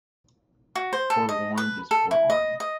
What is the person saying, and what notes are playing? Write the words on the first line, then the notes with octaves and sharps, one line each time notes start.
Forewarned is forearmed.
F#4
C5
A4
D#5
B4
A4
E4
D#5
D#5